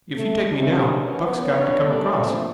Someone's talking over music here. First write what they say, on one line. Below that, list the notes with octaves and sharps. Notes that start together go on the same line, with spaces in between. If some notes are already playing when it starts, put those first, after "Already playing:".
If you take me now, Buck's got to come across.
A3
F2 G#2 C3 G#3 C#4 D4
B3 C#4 A#4
B3 D4 B4 C#5
G3 A3 C#4 A4 A#4 D5
D3 F3 A3 A#3 C4 D4